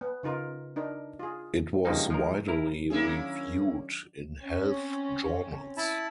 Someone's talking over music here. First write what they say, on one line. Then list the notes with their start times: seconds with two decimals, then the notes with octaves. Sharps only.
It was widely reviewed in health journals.
0.01 B3
0.23 C#3 D#4 F4 A#4
0.76 D4 D#4 A#4
1.19 F4 G#4
1.85 E2 G2 C#3 F3 A#3 D#4
2.10 F3 G#3 A#4
2.48 E4 A#4
2.90 D#3 F#3 A#3 C#4 D4 E4 G#4
4.45 C4 C#4
5.77 E4 A5 B5